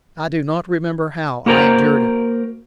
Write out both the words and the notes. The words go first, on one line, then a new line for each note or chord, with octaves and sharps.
I do not remember how I endured it.
A#3 F#4 A#4 C5 G5 A#5